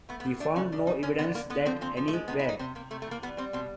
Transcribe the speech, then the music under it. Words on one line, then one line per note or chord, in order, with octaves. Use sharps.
He found no evidence that any were.
A3 B3
B3
A2
A3 D4
C#3 C#4
C#3 D4
C#3 D#4
D3 C#4
D3 B3
D3 A#3
D3 B3
F3 C4
A#2 C4
F3
A3
G#3
C3 B3
E4
E3 D#4
C3 C4
C3 A#3
C3 A3
A3
E3
A#3
G3 B3
G3 C4
B2 C4